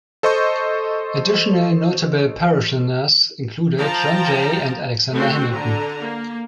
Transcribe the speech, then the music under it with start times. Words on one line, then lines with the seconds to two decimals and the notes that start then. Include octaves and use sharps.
Additional notable parishioners included John Jay and Alexander Hamilton.
0.23 A4 C5 D#5 C6 C#6 G6
3.78 F3 G5 A5 A#5
5.12 A3 C4 F#4
5.51 D3 A#5
6.00 A#3